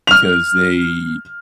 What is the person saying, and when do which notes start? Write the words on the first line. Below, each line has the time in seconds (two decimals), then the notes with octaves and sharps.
because they
0.07 F6 F7